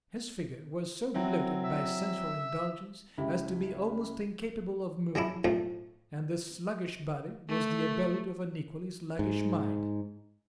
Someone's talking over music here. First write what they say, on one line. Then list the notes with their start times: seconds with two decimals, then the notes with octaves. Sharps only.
His figure was so bloated by sensual indulgence as to be almost incapable of moving, and this sluggish body was the abode of an equally sluggish mind.
1.14 F#3 C4 E4
1.63 E5
3.18 C#2 E4 G4
5.15 F#3 G#3 D4 E4
5.45 B1 A2 F3 A3
7.49 A3
9.19 G#2